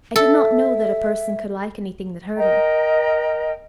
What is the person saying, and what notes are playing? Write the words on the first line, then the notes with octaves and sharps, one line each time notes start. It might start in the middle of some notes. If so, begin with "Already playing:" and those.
I did not know that a person could like anything that hurt her.
A4 E5
A#4 D#5 G5 A#5